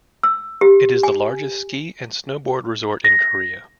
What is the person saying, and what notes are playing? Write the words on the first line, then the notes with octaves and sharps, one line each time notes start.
It is the largest ski and snowboard resort in Korea.
E6
G4
G#5
A#6